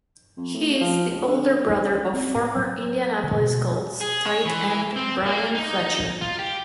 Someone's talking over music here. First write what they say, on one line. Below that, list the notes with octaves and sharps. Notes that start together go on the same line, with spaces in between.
He is the older brother of former Indianapolis Colts tight end Bryan Fletcher.
F2
A2
C#3
F3
C#2
D3
G#2
C#2
C4
A2
F#3
D3
B2
G#4
C#5
E3
C4
A#3
D#4
F4
G4